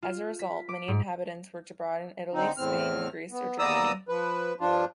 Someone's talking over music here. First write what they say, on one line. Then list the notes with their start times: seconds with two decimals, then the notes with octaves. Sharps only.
As a result, many inhabitants work abroad in Italy, Spain, Greece, or Germany.
0.02 F4
0.39 B6
0.69 D6
0.88 G#2
2.34 D3 C4 D#4
2.57 E2 A2 C4 F6
3.31 B3
3.59 D#2 B3 D5 A#5 D#6 E6
4.08 F3 B4
4.60 G2 F3 D4 F4